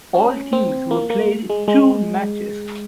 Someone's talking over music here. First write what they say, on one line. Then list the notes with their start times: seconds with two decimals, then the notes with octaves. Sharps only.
All teams were played two matches.
0.14 C#4
0.53 C4
0.91 A#3
1.10 A#3
1.50 G#3
1.68 G#3